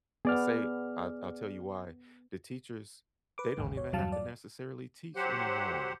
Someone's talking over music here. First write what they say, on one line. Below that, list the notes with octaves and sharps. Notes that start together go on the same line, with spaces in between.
I say I'll I'll tell you why. The teachers, they don't even have to necessarily teach anymore.
B3 G#4 D5 F6
B4 D6
A1 D#2 G#2
C#5
E2 G2 F#3 F5 A5
D5
F#3 G4 C5 F#5